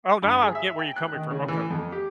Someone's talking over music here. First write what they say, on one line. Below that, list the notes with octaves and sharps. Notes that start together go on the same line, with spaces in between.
Oh, now I get where you're coming from, okay.
G2
G#4
E5
G5
F#6
D#3
C#3
E3
F2
G4